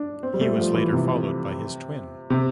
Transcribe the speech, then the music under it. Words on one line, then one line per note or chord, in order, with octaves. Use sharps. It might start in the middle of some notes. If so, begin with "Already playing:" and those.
He was later followed by his twin.
Already playing: D4
C4
G3
A3
F3
E3
C3
C3